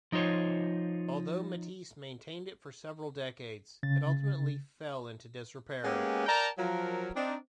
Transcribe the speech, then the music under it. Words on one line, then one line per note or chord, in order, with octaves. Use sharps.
Although Matisse maintained it for several decades, it ultimately fell into disrepair.
F3 D#4 F4 C5 C#5
C#3 A6
G#3 A#3 B3 C#4 G4 G#4
A#4 D5 G5 A5 A#5
F3 F#3 A#4
C4 D4 D#4